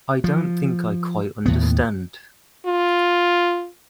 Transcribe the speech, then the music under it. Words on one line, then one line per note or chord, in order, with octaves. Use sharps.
I don't think I quite understand.
F3
D#2 A2 B3
F4